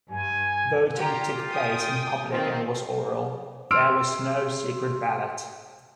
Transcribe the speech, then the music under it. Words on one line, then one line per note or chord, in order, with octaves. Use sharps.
Voting took place in public and was oral; there was no secret ballot.
G2 G#5
F4 G4 A#5
G5 G#5 D#6
D#3 C4 F4
C6 E6 F6 D7